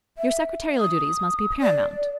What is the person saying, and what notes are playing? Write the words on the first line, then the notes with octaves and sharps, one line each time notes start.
Your secretarial duties must be paramount.
E5
D#6
D5